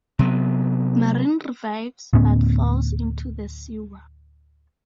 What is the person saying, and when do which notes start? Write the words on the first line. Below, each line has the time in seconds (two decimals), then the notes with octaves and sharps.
Marin revives, but falls into the sewer.
0.19 C3 F#3 B3
2.13 D2 A2 B3 C#4